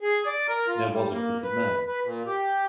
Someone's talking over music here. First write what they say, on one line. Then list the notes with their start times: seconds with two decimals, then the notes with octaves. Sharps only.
There Was a Crooked Man...
0.01 G#4
0.26 D5
0.48 A#4
0.68 F4
0.91 G3
1.12 A#3
1.43 B4
1.87 B4
2.05 A#2
2.27 G4